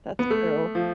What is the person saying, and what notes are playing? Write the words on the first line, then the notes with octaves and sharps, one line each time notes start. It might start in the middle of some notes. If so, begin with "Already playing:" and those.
that's true.
B3
A3
F3